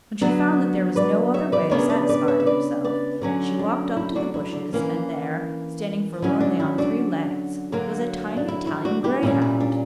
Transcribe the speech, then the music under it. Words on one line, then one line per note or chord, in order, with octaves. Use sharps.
When she found that there was no other way of satisfying herself, she walked up to the bushes, and there, standing forlornly on three legs, was a tiny Italian greyhound.
D3 F#3 B3 D4
B4 D5
C#5 E5
B4 D5
C#3 G3 B3 D4 A#4 C#5
B4 D5
B4 D5
C#5 E5
E5
B4 D5
B4 D5
D3 F#3 C#4
D4
E4
D4 F#4
E4
D4
E3 A#3 C#4
D3 F#3 C#4 E4
D4
E4
D4 F#4
D3 F#3 A#3
D4
E4
E4
D4 F#4
E4 G4
A#2 G3 C#4 E4
E4
D4